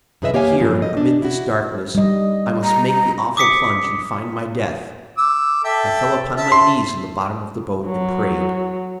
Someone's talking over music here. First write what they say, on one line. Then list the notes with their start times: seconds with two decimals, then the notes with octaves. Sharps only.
Here, amid this darkness, I must make the awful plunge and find my death I fell upon my knees in the bottom of the boat and prayed.
0.22 F#2 C3 G#4 B4 D#5 E5
0.34 A#3 G4 C#5 F5 G#5
0.59 G2 A#2 C#3 F3 F#3
0.82 D#5
0.97 D4
1.22 E4 F#4
1.95 G3 D#5
2.64 A#5
3.37 D6 D#6 B6 C#7
5.18 D6 E6
5.65 A4 E5 G5
6.37 E5 A5
6.52 C6
7.86 F#3